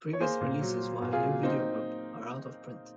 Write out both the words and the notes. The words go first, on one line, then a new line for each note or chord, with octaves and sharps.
Previous releases via New Video Group are out of print.
C#5
A#3 G#4 C5
A#2
F#3
F#3
A#2
F4 G#4
F#3
A#3 C4 D#4